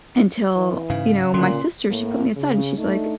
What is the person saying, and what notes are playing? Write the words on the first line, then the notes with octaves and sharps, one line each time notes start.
Until, you know, my sister, she put me aside and she's like,
E3
G#2 C#3 F5
A#2 D3 C#4 C6
A2 A#3
C#3
A3 D4 D#4